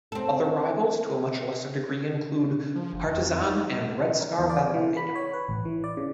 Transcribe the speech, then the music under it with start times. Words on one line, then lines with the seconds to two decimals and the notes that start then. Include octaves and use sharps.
Other rivals to a much lesser degree include Partizan and Red Star Belgrade.
0.12 C4 A4
2.76 F3
2.93 F#1
3.08 F2
3.41 D#4
4.21 A#4
4.38 E2
4.50 D5
4.74 E3
4.97 B5
5.15 C#5
5.33 B4
5.48 A1
5.65 E3
5.84 D5
5.97 C#3